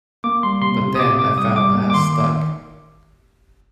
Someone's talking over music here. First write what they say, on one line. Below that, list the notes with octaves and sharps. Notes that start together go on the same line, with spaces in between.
But then I found I had stuck.
A#3 D6
G3 C6
C3 C6
C3
D#6
C3 D6
C3 D6
G3 D#6
G3 D6
A#3
D6
D#3 C6
D#3 D6